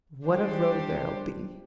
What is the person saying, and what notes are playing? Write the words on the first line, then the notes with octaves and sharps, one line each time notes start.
What a row there'll be!
G3 D4 G4 C5